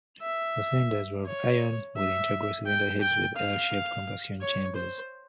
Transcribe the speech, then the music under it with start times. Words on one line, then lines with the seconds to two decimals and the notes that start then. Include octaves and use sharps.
The cylinders were of iron, with integral cylinder heads with L-shaped combustion chambers.
0.22 E5
1.26 C#5
1.97 E5
2.66 G5
3.01 G5
3.36 F5
4.41 C#5
4.75 C5